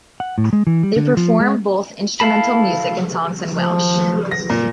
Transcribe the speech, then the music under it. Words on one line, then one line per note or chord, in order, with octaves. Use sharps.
They perform both instrumental music and songs in Welsh.
F#5
A2
G#3
E3
G3
D3
F3
G#3
E4 A4 F5 A5 B5
F3
A#6
A#2